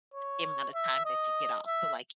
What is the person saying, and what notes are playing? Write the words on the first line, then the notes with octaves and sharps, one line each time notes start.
the amount of time that you get off. So like,
C#5
E5
D#5
E5